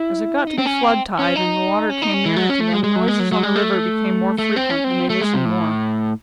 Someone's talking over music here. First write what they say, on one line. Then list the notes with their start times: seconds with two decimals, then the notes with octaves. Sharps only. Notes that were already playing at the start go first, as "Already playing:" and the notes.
As it got to be flood-tide, and the water came nearer to them, noises on the river became more frequent, and they listened more.
Already playing: E4
0.47 D#4
0.58 C4
0.66 C#4
0.83 C4
1.19 C#4
1.36 D#4
1.90 C#4
2.02 D#4
2.14 C#4
2.25 E3
2.36 F#3
2.49 C#4
2.60 A3
2.73 G#3
2.84 G#3
2.96 F#3
3.08 G#3
3.20 F#3
3.32 F#3
3.43 G#3
3.56 A3
4.38 A3
4.56 C4
4.70 C#4
4.84 C4
5.10 A3
5.21 G#3
5.34 C3
5.45 A2